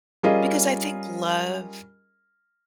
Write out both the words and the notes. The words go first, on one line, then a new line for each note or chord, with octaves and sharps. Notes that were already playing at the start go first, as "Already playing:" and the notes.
because I think love
G3 C#4 F4 G#4 A#4 D#5